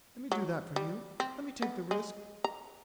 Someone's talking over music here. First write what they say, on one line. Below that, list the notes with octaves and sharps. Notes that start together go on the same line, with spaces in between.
Let me do that for you--let me take the risk.
F#3
G3
C4
B3
G#3
A#5